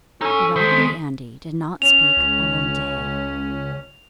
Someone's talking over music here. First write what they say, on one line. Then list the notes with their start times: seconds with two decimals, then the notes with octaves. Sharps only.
Raggedy Andy did not speak all day.
0.21 C#4 D#4 A4 G#5 E6
0.56 D#3 G#3 C5 B6
1.82 C#4 F7
2.17 C#2